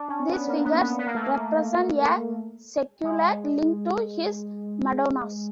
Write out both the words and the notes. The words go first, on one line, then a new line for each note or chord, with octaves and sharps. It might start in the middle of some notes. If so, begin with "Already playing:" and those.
These figures represent a secular link to his "Madonnas".
Already playing: D4
C#4
B3
A#3
B3
B3
B3
A#3
A3
A#3
G#3